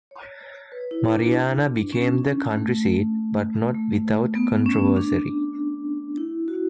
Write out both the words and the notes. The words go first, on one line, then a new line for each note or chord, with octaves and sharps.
Marianna became the county seat, but not without controversy.
C#5
B4
E4
D4
C#4
A3
A3
B3
C#4
D4
E4
F#4